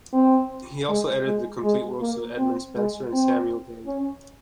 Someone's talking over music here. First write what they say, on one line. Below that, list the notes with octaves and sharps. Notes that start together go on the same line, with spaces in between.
He also edited the complete works of Edmund Spenser and Samuel Daniel.
C4
G#3
G#3
G#3
A#3
C4
G#3
C4
C#4